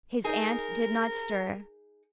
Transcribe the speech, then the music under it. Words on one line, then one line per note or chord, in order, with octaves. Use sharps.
His aunt did not stir.
D#4 G#4 A#4